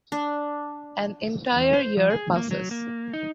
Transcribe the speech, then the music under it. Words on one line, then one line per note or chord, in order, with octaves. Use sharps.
An entire year passes.
D4
E2
C5
F3
G#4
A#3
F#3
A#3
D#4